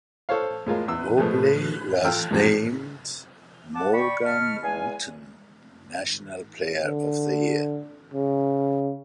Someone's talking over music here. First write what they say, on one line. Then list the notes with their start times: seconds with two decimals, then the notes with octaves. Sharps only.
Mobley was named Morgan Wootten National Player of the Year.
0.29 A4 C5 C#5 F5
0.66 A2 G#3 F4 A#4
0.88 E2 E6
1.18 F3 G#3 A3 B3
2.05 F4 A4 G5 E6 F6
2.31 G2 C3 F3 G3
3.74 F#5 A5 D6
3.94 D5 G5 B5 C#6
4.24 D#5 A5 B5 C#6 F6
4.63 E2 G#3 F5 G#5
6.83 D3
8.14 C#3